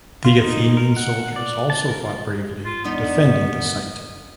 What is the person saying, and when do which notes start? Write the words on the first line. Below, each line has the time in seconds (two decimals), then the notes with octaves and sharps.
The Athenian soldiers also fought bravely, defending the site.
0.25 F4
0.42 D#4
0.77 A#4
0.97 F#5
1.36 D5
1.70 A5
1.88 A#4
2.65 F4
2.84 E2 B3 D4 D#4
3.23 F#2